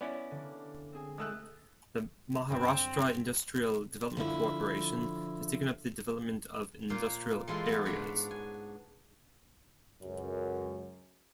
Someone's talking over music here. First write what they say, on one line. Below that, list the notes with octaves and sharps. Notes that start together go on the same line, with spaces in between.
The Maharashtra Industrial Development Corporation has taken up the development of industrial areas.
B3 C#4 E4 D5
D3 G3 A#3
C4 G#4 G#5
G#3 A3 D#6 E6 F#6
F#2 D3 G3 C4
D3 F3 E4
A#2 A#3 F4 C5
E3 G#3 F4 A4 C6
B3 A4
G#2 D4 C#5 B5
G#5
C#2 F#2